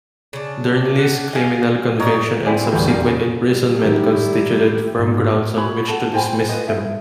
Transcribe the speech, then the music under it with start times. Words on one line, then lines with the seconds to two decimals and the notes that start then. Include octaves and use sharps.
Dernley's criminal conviction and subsequent imprisonment constituted firm grounds on which to dismiss him.
0.33 C#3 D4
0.98 F#5
1.33 D#5 F5 G5 G#5
2.00 D#4 A#4 C#5 D5
2.45 C4 E4 G#4 D5
2.72 A1 D2 A2 E3 G3
2.87 F2 G3 A#3 G#4
3.07 C#3
3.48 G3
3.79 F#2 D#3 E4 G4
4.99 G#2
5.56 F#4 G#4 B5
5.88 A4 F#5
6.14 C5 G5 G#5 B5
6.34 C5
6.49 F4 B4 D#5
6.68 E4 A4 E5